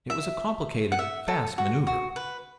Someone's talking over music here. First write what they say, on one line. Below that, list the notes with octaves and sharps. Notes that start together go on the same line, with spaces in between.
It was a complicated, fast maneuver.
E5
F#5
E5
A4
F#4
F#4
B4